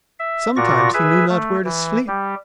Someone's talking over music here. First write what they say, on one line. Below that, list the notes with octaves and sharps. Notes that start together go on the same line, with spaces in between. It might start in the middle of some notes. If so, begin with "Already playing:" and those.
Sometimes he knew not where to sleep.
E5
A#2 F4 F#4 D5 C#6 A#6
G#4 B4 E5
A3
E3
G3 G4